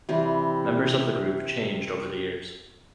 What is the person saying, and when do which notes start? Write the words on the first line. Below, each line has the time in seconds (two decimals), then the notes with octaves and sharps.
Members of the group changed over the years.
0.09 C3 E3 G3